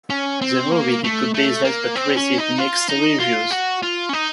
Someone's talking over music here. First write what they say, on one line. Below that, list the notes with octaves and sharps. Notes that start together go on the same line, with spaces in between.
The movie did good business but received mixed reviews.
C#4
C4
A#3
A3
A3
A#3
C4
C#4
D#4
F4
D#4
F4
F#4
F4
C#4
D#4